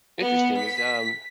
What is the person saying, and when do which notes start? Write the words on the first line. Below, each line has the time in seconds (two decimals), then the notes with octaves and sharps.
Interesting, is, um,
0.20 B3
0.58 B6